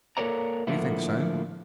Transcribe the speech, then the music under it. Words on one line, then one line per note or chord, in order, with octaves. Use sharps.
"Do you think so?"
A#3 A4 A#4 C#5 D5 A#5
A2 D3 F3 A3 A#3 E4